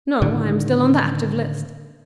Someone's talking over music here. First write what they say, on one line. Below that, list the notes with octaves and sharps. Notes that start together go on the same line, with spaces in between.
"No, I am still on the active list."
A2 D3 D#3